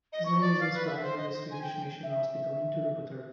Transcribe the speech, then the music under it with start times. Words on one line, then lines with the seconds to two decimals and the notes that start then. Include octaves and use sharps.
His name is inscribed in the Swedish Mission Hospital in Tirupattur.
0.13 D#5
0.25 C#6
0.41 D5
0.60 F5
0.74 B4
0.86 E5
1.02 C5
1.17 D#5
1.30 C5
1.51 G#5
1.62 G5
2.03 E5